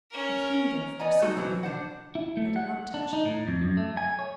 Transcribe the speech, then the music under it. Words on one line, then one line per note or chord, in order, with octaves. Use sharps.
I came, therefore, somewhat nearer--but I did not touch him.
C#4 A#4
B3 D5 D#5 G#5 A#5
A3 C4 D#4 F#4 A5
B2 E3 F#3 C4
D4 C5 F#5
E4
A3
F#5
D4
D#4
A2
F2
F#2
A3
G#5
C#5